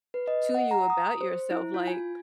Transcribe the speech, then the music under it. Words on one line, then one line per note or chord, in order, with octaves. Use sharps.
to you about yourself, Like,
B4
D#5
F#5
A#5
D#6
C5
E4
F4
G#5